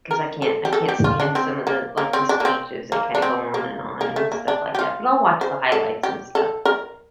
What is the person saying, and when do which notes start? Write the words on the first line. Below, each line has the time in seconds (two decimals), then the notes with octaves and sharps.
'cause I can't I can't stand some of the, like, the speeches. They kinda go on and on and stuff like that. But I'll watch the highlights and stuff, but,
0.11 A#4
0.42 A4
0.65 G4
0.73 A4
0.88 G4
1.04 F4
1.20 D4
1.35 C4
1.67 A#3
1.98 A#3
2.13 C4
2.29 D4
2.40 A#3
2.45 C4
2.92 A#3
3.15 D4
3.22 C4
3.54 A#3
4.01 A#3
4.16 A3
4.32 A#3
4.48 D4
4.75 G4
4.79 F4
5.41 C5
5.72 A4
6.03 G4
6.35 A4
6.65 A#4